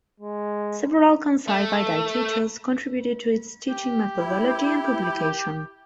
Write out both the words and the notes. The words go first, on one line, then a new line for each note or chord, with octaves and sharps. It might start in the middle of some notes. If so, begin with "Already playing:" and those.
Several Kansai Gaidai teachers contributed to its teaching methodology and publication.
G#3
A3
G4
E4